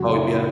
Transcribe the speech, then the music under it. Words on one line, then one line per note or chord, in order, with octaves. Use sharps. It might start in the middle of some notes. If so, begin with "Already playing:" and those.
Oh, yeah.
Already playing: F#2 C#3 G#3 F#4
E4